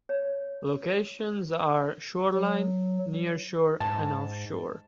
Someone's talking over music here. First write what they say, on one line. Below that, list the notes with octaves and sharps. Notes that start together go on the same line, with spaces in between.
Locations are shoreline, nearshore and offshore.
C#5
F#3
G#2 A5